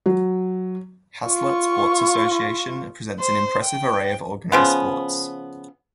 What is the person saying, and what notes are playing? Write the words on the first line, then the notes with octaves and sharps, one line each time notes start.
Haslet's Sports Association presents an impressive array of organized sports.
F#3
F4 C#6
C5
G5
C#3 F3 B3